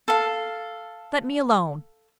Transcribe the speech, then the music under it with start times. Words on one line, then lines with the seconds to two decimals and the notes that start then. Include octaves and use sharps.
Let me alone.
0.08 A4 F5